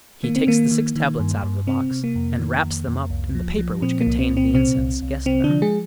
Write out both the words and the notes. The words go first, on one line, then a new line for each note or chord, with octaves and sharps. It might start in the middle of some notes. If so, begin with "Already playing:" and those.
He takes the six tablets out of the box, and wraps them up in the paper which contained the incense guessed about.
D#3 A#3
C4
D#3 A#3
D#3
D#3
G2
G2
C3 C4
C3
A#3
F2
D#3
F2
F2
C2
F3
F3
A#2 C4
A#3
C2
C4
A#2
C4
C3 C4
C2
C2
C3 C4
D3 D4
F3
G#3 G#4